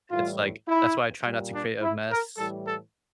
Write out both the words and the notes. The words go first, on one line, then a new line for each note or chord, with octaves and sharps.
it's like that's why I try not to create a mess,
A2 E3 G3 F4
E4
A#2 G3
D4
E4
A#4
A2 E3 G3 A4
A4